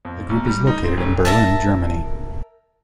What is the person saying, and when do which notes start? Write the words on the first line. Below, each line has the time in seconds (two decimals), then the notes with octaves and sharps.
The group is located in Berlin, Germany.
0.05 F2
0.29 B1
0.46 G3
0.67 D#4
0.84 C4
0.97 F1
1.25 A#4 E5 A5